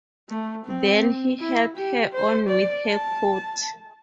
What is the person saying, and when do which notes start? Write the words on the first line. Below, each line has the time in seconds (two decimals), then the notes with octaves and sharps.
Then he helped her on with her coat.
0.29 A3
0.66 C4
1.40 E4
1.77 G4
2.13 C5
2.49 D5
2.86 A5